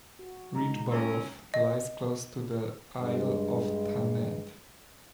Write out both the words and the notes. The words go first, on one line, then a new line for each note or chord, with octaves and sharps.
Richborough lies close to the Isle of Thanet.
F#4
G#3 D#4 A#5
C#4 A#4 E6
D#5
G2 G#3